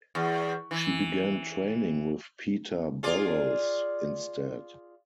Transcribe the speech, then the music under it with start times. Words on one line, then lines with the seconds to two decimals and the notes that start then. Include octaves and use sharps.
She began training with Peter Burrows instead.
0.15 E2
0.71 E3
3.03 F4 G#4 D5